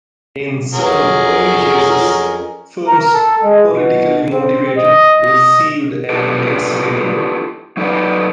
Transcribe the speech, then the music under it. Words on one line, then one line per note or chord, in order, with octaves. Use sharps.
In some early cases, films politically motivated received an X rating.
F2 F#3 C#4 G#4 A#4
A#4
A4
G#3
B2
C4
D#5
D4 E4 F4 G4 A4 B4
F#3 D#4 A4 B4 D5